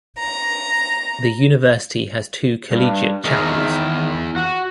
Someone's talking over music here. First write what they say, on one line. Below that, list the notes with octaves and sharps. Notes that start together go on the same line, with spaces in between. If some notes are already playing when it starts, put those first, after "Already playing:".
The University has two collegiate chapels.
A#5
G2
E2 D#3 G#4 A#4
F#4